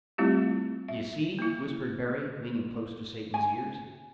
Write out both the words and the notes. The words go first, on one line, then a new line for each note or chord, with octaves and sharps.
"D'ye see?" whispered Barry, leaning close to Satan's ears.
G3 A3 C4 E4 F4 G4
E5
A#3 E4
G#5